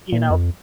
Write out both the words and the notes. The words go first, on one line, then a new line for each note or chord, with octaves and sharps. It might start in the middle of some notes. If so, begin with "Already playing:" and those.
you know,
A#2
F2